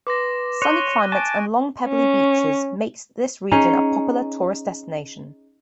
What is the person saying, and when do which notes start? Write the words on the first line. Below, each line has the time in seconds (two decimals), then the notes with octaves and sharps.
Sunny climate and long pebbly beaches make this region a popular tourist destination.
0.07 B4 C6 D6 A#6
0.62 C#5 C6 F#6 D#7 G7
1.12 G#5 A5 C#6 G#6 D7
1.88 C#4
3.51 C#4 D#4 G#4